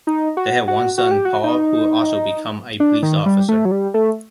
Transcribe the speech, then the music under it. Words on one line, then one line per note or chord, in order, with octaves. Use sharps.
They had one son, Paul who also became a police officer.
D#4
F#4
F#4
F#4
G4
F#4
D#4
D4
D#3
G3
A3
F#3
G3
A3